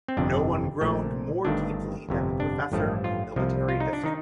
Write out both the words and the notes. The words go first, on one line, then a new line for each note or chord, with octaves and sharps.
No one groaned more deeply than the professor of military history.
C4
G1 F2 C3 D4
A#1 A#2 A3
G1 G2 D#3 A3 D4
G1 F2 C3
D4
A1 G2 F3 A3
F4
C2 C3 F3
F4
D#4
D4
D#3 D#4